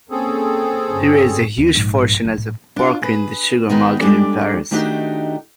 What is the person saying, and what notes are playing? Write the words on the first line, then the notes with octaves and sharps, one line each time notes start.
He raised a huge fortune as a broker in the sugar market in Paris.
A#3 C4 C#4 G#4 A4
G1 C#4
D#2 B3
A#1 G#2
F#3 A3
A2
D4 F4
G#4 B4
D#3 G#3 B3 D#4
G3 G#3 D4 G4 A4 D5
D#3 A3 D4 D#4 F#4 G4